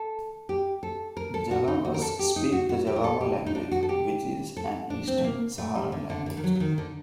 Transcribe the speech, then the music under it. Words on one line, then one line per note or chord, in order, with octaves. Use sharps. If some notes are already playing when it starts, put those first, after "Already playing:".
Zaghawas speak the Zaghawa language, which is an eastern Saharan language.
Already playing: A4
G4
A4
A#4
A4
F#4
D#4
F#4
A#4
A4
G4
D#4
F#4
F#4
G4
A#4
A4
G4
D#4
D4
F#4
A4
G4
A4
D4
C4
A3
A#3
A3
G3
D3
D3
D3
D#3
F#3
F#3
D#3
D3